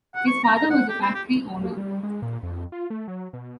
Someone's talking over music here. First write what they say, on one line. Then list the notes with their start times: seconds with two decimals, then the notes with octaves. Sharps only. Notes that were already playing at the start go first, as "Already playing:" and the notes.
His father was a factory owner.
0.15 F#5
0.27 C#6
0.44 A#5
0.56 A#5
0.70 F#5
0.89 G4
1.02 C4
1.14 G4
1.63 A#3
1.77 G3
2.03 G#3
2.22 A#2
2.43 F2
2.72 F4
2.90 A3
3.08 F#3
3.33 B2